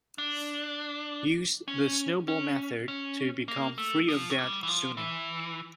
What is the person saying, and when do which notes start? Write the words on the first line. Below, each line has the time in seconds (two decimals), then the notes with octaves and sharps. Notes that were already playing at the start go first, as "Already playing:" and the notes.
Use the snowball method to become free of debt sooner.
0.18 D4
1.68 C#4
2.28 C#4
2.88 C#4
3.48 A#3
3.78 A3
4.08 F3
4.30 A3
4.38 G3
4.63 E3
4.68 F3
4.97 E3